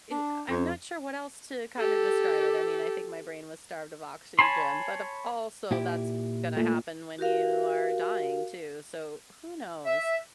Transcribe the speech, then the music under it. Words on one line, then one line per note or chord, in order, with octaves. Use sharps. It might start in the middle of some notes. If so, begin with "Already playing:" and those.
eh e uh I'm not sure what else to kinda describe it, I mean, I think my brain was starved of oxygen, but of also that's gonna happen when you are dying, too, so who knows?
D4
F2
G4 A4
C#5 G#5 A5 B5 C6
A#2 E4 G4
A#2 A3
F#4 G4 A#4 F5
E5